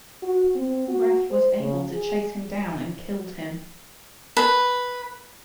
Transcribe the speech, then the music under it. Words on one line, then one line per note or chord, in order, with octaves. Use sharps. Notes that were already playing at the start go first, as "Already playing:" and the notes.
Ref was able to chase him down and killed him.
F#4
C4
F#4
C5
C#3
G#4
B4